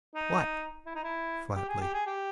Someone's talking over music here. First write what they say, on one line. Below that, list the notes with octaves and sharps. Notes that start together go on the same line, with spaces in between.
"What?" flatly.
D#4
E4
D#4
E4
G4
G#4
G4
G#4
G4